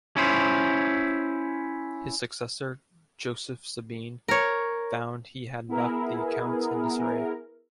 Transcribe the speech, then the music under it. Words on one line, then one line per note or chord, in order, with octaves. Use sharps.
His successor Joseph Sabine found he had left the accounts in disarray.
C#4 E4 C5
A#4 C#5
B3 E4 G#4 A#4